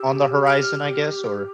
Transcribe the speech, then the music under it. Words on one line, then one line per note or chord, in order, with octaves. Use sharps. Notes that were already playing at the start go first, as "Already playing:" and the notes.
on the horizon, I guess? Or
Already playing: G4 E6
F6